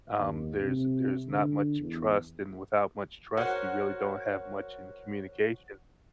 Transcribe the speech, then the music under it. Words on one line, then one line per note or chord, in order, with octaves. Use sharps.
um, there's there's not much trust, and without much trust, you really don't have much in communication,
D#2
C3
D3
E2
F#4 A#4 C5 C#5